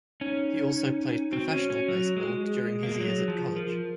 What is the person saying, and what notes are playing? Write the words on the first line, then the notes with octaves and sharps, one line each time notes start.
He also played professional baseball during his years at college.
C#4 D#4
C4 F#4
C#4
C#4
F#3
G#3
F#4
G#4
A#3
G#3
F#3
F3
F3 A#4